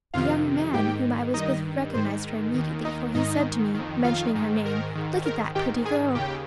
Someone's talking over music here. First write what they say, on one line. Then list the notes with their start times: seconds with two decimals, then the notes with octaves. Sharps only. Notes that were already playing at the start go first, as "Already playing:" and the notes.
The young man whom I was with recognised her immediately, for he said to me, mentioning her name: "Look at that pretty girl."
0.14 F2 C3 D#3 F4 F5
0.74 G#2 D#3 G4 G5
1.34 G2 D#3 D#4 D#5
1.94 G#2 D#3 C5
2.54 D#2 D#3
2.85 D#4 D#5
3.15 G#2 D#3 D#4 D#5
3.74 F2 D#3
4.04 F4 F5
4.35 G#2 D#3
4.66 A#4
4.95 G#2 D#3
5.26 A#4
5.55 G#2 D#3 G4 G5
5.85 G#4 G#5
6.15 D#2 C#3 G4 G5